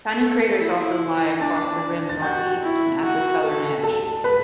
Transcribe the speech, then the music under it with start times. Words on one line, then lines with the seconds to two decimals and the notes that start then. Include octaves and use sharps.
Tiny craters also lie across the rim northeast and at the southern edge.
0.20 A4
0.60 E4
1.41 D4 A5 A6
2.09 A6
2.21 F#4 G5 G6
2.63 E4
3.03 F#4
3.44 A4
3.83 A4 A5
4.24 B4 B5